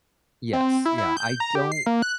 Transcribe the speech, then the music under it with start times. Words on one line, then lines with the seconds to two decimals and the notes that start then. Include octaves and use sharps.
Yes. Yeah. I don't
0.53 C4
0.85 E4
0.98 E4
1.17 G6
1.40 A#5
1.55 G4
1.72 C7
1.86 A#3
2.02 F#6